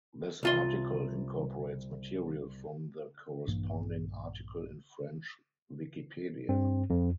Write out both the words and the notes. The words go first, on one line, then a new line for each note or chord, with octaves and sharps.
This article incorporates material from the corresponding article in French wikipedia.
C2 F4 C6
A#1 G2 E3 A#3
G2 C4
F2